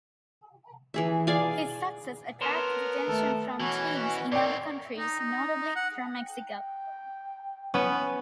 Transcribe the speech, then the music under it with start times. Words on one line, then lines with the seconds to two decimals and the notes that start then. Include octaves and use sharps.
His success attracted attention from teams in other countries, notably from Mexico.
0.94 E3 G#4 E5
1.27 G#4 D5 F5 G#5
2.41 B3 A#4 C#5 A5 C6
3.08 D#2 A3 A4
3.60 B2 E3 C#4 F#4
4.32 D#3 C4 C#5 D5 G5
4.98 D#4
5.19 D#4
5.75 F#5
6.21 G5
7.74 B3 C#4